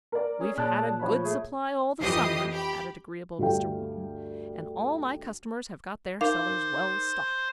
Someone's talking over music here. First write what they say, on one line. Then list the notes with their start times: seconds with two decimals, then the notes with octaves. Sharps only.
"But we've had a good supply all the summer," added agreeable Mr. Wootten, "and all my customers have got their cellars well stocked."
0.12 A#4 D5
0.39 C#4 G#4
0.58 A#2 G#4 C#5 D5 A5 F#6
0.99 F3 C#5 B5
1.24 A3 G#4
2.01 F2 E3 G4 D#5 D#6 C7
2.52 G4 B5
3.39 D2 G2 A3 F5 G5
6.21 D#4 A#4 C5 F5 D6